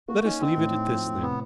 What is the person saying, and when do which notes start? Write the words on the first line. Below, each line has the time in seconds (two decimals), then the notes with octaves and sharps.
Let us leave it at this then.
0.08 A#3 F#4
0.25 C#4 D#4
0.41 C4 D#4
0.57 A2
0.73 D#4
0.89 F3
1.06 A2
1.22 C3 B3